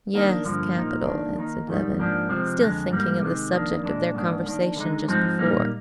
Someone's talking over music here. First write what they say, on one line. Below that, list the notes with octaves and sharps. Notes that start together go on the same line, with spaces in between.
"Yes, capital," answered Levin, still thinking of the subject of their conversation just before.
D#3 A#3 D4
G2 D3 F3 A#3
A#2 F3 A#3 D#4
D#3 A#3 D4
D#3 A#3 D#4
G#2 D#3 G3
G#2 F3 A#3 D4
C3 F3 G#3 C4
F2 D3 G#3
G#2 G3 A#3
C3 D#3 G#3
F2 D#3 A#3 D4
A#2 G#3 D4
G#2 D#3 A#3 D4
D#3 A#3 D4
D3 G#3 D#4
G#2 F3 G#3 C4 D#4
A#2 G3 A#3 D#4